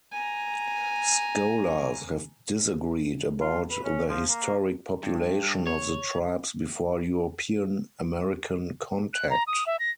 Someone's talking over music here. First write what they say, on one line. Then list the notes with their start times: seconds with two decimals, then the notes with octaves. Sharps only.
Scholars have disagreed about the historic population of the tribes before European-American contact.
0.12 G#5 A#5
3.41 F4
3.71 B4
3.84 C#4
4.09 F3
4.29 A#3
5.03 G2
5.67 C#5
9.13 F#6
9.30 A#5
9.47 D#6
9.66 E5
9.79 A#6